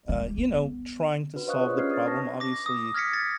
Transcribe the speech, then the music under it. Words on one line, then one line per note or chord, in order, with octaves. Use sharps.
uh, you know, trying to solve the problem, obviously,
G#3
B3
D4 F#4 B4
C5 D#5 F5 C#6 D#6 F#6
F4 G4 G#4 B4 C#5 D#5
C#4 D4 F6 G#6 C7
D#6 F6 A6
B4 A5 C#6 A#6
D6 A#6
D#6
F6 G#6 A#6 B6 C#7
A6 B6